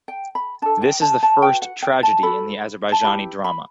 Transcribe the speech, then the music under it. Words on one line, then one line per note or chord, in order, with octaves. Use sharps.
This is the first tragedy in the Azerbaijani drama.
G5
B5
D4 A4 A5
G5
A5
A5
F#4 B4 G5
F#5
G5
A5
F#4 A4 B5
A5
E4 G4 B4 B5
B5